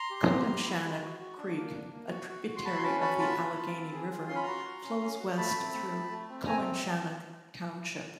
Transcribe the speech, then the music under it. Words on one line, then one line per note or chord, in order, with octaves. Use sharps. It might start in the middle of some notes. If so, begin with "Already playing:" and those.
Cowanshannock Creek, a tributary of the Allegheny River, flows west through Cowanshannock Township.
Already playing: A#5 C6
G4
G4
G4
E4
G#3
F#4
F#4
D4
A#3
D4
A#3
F#4
F#4
F#4
C6
F#4 A5 B5
C6
C#4 A5 B5
F#4 A5 B5
F4 A5 B5
F4
F4
C4
G#4
F4
C#4 C6
B5
F#4 A#5 C6
F#4
C#4
C#4
F#4
A3 A5 B5
C4
A3
A3
A3
C4
C4 G#5 A#5